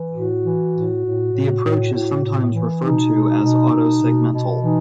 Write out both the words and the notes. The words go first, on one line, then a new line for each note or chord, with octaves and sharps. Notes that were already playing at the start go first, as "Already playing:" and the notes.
The approach is sometimes referred to as Autosegmental.
Already playing: E3
A2 F#4
E3
A2
A2
A2
A2
A2
A2
E3
B2 D#4
B2
B2
B2
B2
B2
E3 D#4